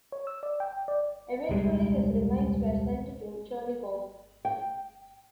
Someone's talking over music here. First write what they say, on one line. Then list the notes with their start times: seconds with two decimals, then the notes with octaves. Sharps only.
Eventually his remains were sent to Chernigov.
0.12 C#5
0.27 E6
0.43 D5
0.60 G5
0.88 D5
1.49 D#1 C2 G3 G#3
4.45 G5